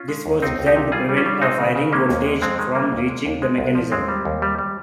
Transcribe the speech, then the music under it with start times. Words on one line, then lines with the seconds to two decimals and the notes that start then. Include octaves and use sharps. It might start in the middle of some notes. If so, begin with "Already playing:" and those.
This was designed to prevent a firing voltage from reaching the mechanism.
Already playing: C#4 F4
0.08 G#3
0.26 D#2
0.42 C#2 C4 D#4
0.59 C#2
0.67 D#4 G4
0.76 C3
0.92 G3 F4 G#4
1.09 G3
1.17 C#4 F4
1.26 G3
1.42 G#3 C4 D#4
1.58 C#3
1.75 C#3
1.93 G#3 A#3 C#4
2.09 D#2
2.25 G#3
2.41 F2 G#3 C4
2.59 D#3 G#3
2.75 G3 A#3
2.92 D#2
3.09 G#3
3.25 D#2
3.42 G#3
3.58 C2
3.75 F3
3.92 D#2 G#3 C4
4.09 G3
4.25 D#2
4.42 G3
4.59 G3